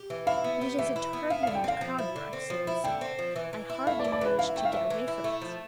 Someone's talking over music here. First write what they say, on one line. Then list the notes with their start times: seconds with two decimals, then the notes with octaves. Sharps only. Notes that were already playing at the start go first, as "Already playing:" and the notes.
But it is a turbulent crowd, your excellency--I hardly managed to get away from it.
Already playing: G4
0.10 E3
0.27 E4 F5
0.44 B3
0.61 G4
0.78 E3 E5
0.96 E4
1.13 B3
1.30 E4 F5
1.43 F5
1.47 D3
1.55 G5
1.64 C4 F5
1.81 F3
1.98 E4
2.16 D3
2.33 C4
2.50 F3
2.67 E4
2.84 D3 G5
3.01 C4
3.19 F3
3.36 E3
3.53 E3
3.70 E4
3.87 A3 F5
3.99 D5
4.04 E3
4.12 D5
4.21 E3 B4
4.39 E4 F5
4.56 A3 G5
4.65 F5
4.73 E3 E5
4.90 E3
5.08 E4
5.24 A3
5.42 F3